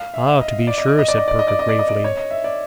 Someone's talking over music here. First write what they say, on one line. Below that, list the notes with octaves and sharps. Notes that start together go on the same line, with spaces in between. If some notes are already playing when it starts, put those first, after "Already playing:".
'Ah, to be sure,' said Perker gravely.
Already playing: F5
E5
D#5
D5
D#5
D5
D#5
D5
D#5
D5
D#5
D5
D#5
D5
D#5
D5
C#5
D#5
E5
D5